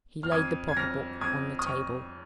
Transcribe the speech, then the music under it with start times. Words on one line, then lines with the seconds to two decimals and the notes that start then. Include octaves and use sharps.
He laid the pocket-book on the table.
0.23 F6
0.31 F2 D#6 G#6
0.68 G#6
0.77 F2 F6 A#6
1.21 F2 D#6 G#6
1.59 D#6
1.66 F2 C#6 F6